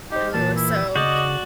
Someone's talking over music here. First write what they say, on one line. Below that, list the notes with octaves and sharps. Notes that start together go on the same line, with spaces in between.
Ooh, so,
D#4 G4 C5
A#2 E3 A5
E4
C#3 F#4 D5 D#5 G6